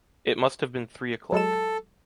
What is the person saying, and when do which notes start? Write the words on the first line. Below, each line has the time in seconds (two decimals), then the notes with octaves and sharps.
It must have been three o’clock.
1.32 F#3 G#3 A4 E7